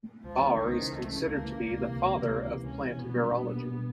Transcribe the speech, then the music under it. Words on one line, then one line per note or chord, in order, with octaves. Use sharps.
Baur is considered to be the father of plant virology.
C#2 F3
C#3 E3
C#2 D#3
C#3 E3
C#2 A3
C#3 E3
C#2 A#3
C#3 E3
C#2
C3 E3
C#2
C3 E3
C#2
C3 E3
C#2 C#4
C3 E3
B2 B3
G3 A#3 D4
B2
G3 A#3 D4
B2